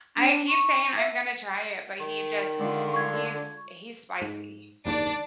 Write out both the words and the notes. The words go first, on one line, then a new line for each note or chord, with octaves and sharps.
I keep saying I'm gonna try it, but he just he's he's spicy.
D4
C#6
E5
D#3
D3 G#3 F4
C#6 G#6
G#2
F#1 D#2 G#2 D4 D5